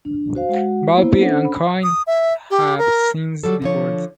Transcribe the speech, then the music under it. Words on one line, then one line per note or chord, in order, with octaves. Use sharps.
Valpy and Coyne have since divorced.
D4
F#4 C5 F5
G#3 F#4 F#5
A#3 B3 E4 C5
C#4 D4 A4 C5 F#5
B5
D#6
E5
G4
A#4
F#3 G3 A4
D3 F3 C#5